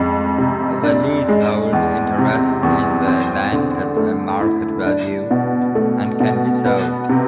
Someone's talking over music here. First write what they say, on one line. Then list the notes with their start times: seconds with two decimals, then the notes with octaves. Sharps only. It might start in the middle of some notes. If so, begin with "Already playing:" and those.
The leasehold interest in the land has a market value and can be sold.
Already playing: F2 G#3
0.38 C3
0.83 D4
1.28 G#3
1.73 E2
2.18 C3
2.63 E2
3.07 C4
3.52 D3
3.97 A3
4.41 E4
4.86 D4
5.31 B2
5.75 A3
6.20 B2
6.65 B3
7.09 C3